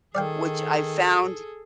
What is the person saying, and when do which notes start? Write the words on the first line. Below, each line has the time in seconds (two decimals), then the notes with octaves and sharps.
which I found
0.15 D#3 G#4 A4 D5 F5 G5